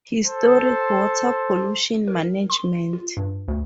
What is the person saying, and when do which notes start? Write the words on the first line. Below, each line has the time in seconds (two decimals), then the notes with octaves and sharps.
Historic Water Pollution Management.
0.25 A4 C5
2.08 A#4
2.50 C6
2.93 F4
3.17 G2
3.48 D2